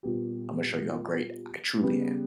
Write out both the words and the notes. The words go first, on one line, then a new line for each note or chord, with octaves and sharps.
Imma show you how great I truly am."
A#2 G3 B3 G4
C#3 G3 B3 G4